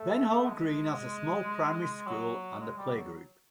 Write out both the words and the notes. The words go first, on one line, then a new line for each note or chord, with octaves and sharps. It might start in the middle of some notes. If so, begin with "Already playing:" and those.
Benhall Green has a small primary school and a playgroup.
Already playing: A3
G#3
F#3
G#3
G3
F#3